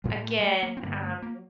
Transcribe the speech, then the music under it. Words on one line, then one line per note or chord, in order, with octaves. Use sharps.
again, um,
A2 G3
A3
G3
A3
A#3
C4
G2 D3 A#3
G3
A3
A#3